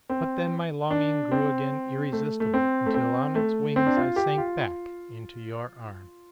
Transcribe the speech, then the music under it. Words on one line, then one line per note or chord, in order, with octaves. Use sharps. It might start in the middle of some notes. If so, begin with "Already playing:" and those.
But then my longing grew again irresistible, until on its wings I sank back into your arms.
C4
D4
C4
A3
A3
C4
A3
C4
A3
C4
D4
F4
G4
F4